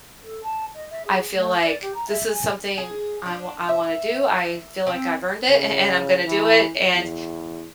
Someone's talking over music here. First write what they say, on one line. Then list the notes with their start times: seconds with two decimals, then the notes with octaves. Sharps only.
I feel like, this is something I w I wanna do, I feel like I've earned it, a and I'm gonna do it, and,
0.23 A4
0.43 A5
0.74 D#5
0.90 E5
1.05 G#4
1.36 A3
1.63 D5
1.82 G4
1.94 A#5
2.09 E5
2.29 G#5
2.78 G#4
3.26 D4
3.69 E5
4.87 C4
5.49 C#3
6.26 E3
6.93 E2